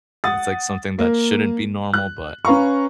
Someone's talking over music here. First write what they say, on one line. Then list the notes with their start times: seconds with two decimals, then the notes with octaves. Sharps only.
it's like something that shouldn't be normal, but,
0.24 F#5 D#6 A6
0.99 A#3
1.94 F#6
2.45 C#4 B4 F5 A#5 C#6